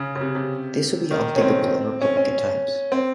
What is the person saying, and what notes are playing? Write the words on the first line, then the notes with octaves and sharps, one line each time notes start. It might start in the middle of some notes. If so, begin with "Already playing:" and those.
This would be unthinkable in Republican times.
Already playing: C#3
C#3
C3
C3
D#3
C#4
C4
C#4
C#4
C4